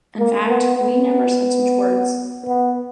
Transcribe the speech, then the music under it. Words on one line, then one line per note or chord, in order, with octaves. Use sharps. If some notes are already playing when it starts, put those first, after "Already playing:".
In fact, Li never said such words.
A#3
B3
B3
B3